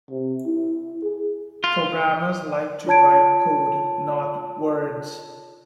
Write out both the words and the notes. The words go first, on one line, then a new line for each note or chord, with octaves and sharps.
Programmers like to write code; not words.
C3
E4
G#4
F4
F4 C#5 A5 G#6 D7